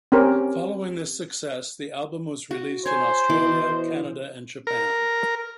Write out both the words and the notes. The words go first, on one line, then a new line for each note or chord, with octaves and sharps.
Following this success the album was released in Australia, Canada and Japan.
C4 C#4 G4 A#4
F#4
C5 C#5 G#5
B2 E3 D6
A#4